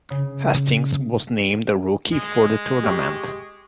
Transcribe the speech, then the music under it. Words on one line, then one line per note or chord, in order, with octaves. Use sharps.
Hastings was named Rookie of the Tournament.
C#3
G#3
G4 C#6